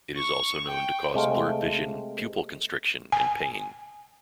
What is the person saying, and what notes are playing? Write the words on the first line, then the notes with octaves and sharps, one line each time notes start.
It is also known to cause blurred vision, pupil constriction and pain.
C#6
G5
C3 G#3 A3 F5
G#5